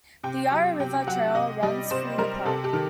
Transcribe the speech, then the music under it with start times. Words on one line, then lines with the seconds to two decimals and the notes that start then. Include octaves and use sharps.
The Yarra River Trail runs through the park.
0.24 C3 G5
0.51 F#3
0.80 C3 G5
1.07 F#3 F#5
1.35 C3 D#5
1.63 G3 D#5
1.91 C3 C5
2.18 G3 A#4
2.45 C3 A4
2.64 G4
2.73 D#3